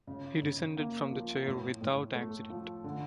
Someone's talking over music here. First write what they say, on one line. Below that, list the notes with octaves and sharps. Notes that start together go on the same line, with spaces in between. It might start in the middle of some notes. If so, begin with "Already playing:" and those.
He descended from the chair without accident.
C#3
C#3
A#3
F3
A2
A2
A3
F3
D3